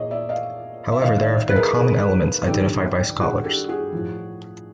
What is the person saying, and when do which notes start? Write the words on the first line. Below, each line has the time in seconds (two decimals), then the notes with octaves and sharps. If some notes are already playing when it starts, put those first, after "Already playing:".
However, there have been common elements identified by scholars.
Already playing: A#2 G#4 C#5 D#5
0.11 D5 E5
0.29 D#5 F5
0.92 E5
1.02 G#2 D#3 D#5 F5
1.20 D5 E5
1.49 B4
1.56 G#4 A#4
1.74 G#4 A#4
2.47 G2 D#3 G4 A4
3.19 F#4 G#4
3.44 G4 A4
3.68 F#4 G#4
3.92 A2 F3